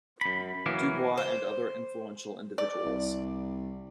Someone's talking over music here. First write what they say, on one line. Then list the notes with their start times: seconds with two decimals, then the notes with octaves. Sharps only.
Du Bois and other influential individuals.
0.21 F#2 B5
0.66 E3 F#3 A#3
1.18 C5
2.58 D5
2.85 C2